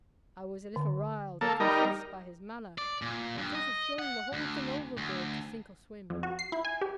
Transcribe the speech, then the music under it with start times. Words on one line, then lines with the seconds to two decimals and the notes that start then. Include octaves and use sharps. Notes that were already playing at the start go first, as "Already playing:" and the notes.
I was a little "riled," I confess, by his manner, and thought of throwing the whole thing overboard to sink or swim.
0.76 D3
1.41 A#3 A4
1.60 G3 D#4 A#4 B5
2.78 D5
3.02 A#2
3.38 G2
3.55 D#5
3.99 F#5
4.33 D2
4.97 D2
6.10 F2
6.23 F#4
6.39 C7
6.52 E4
6.65 G#5
6.81 G4